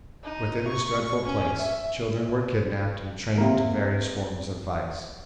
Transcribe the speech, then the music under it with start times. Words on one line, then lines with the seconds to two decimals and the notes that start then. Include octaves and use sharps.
Within this dreadful place children were kidnapped and trained to various forms of vice.
0.24 D#4
0.68 C#6
1.26 C#4
1.60 E5
3.37 C3 A#3